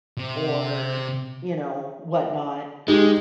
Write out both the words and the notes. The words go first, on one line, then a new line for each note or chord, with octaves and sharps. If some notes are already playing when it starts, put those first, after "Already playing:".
or, you know, whatnot,
C3
G#3 D#4 G4